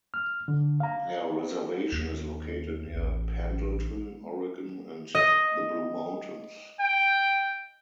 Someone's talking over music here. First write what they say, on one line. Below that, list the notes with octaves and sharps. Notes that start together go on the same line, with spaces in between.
Their reservation is located near Pendleton, Oregon and the Blue Mountains.
F6
D3
F5 A#5
D#2
A1
D#5
G5